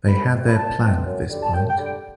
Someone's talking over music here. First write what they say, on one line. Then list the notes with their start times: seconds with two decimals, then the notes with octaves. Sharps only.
They had their plan, at this point.
0.06 C2 B5
0.32 B2 A3 C4
0.46 B5
0.55 C2 A5
0.80 B2 A3 C4
1.04 F#2
1.29 D3 G3
1.41 A5
1.53 F#2 G5
1.70 G5
1.78 D3 G3
1.86 G5